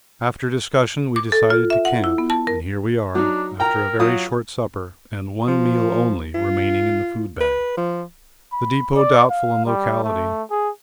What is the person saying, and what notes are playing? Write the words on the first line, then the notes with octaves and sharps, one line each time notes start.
After discussion we decided to camp, and here we are, after a very short supper and one meal only remaining in the food bag; the depot doubtful in locality.
D6
A4
F4
E5
F#5
E4
B3
A5
A#4
F#3 D4 D#4
A#4 G5 A#5
F#3 F4 D#6
F3
F4
B4
F3
B5
D5
F5
G3
A3
G#4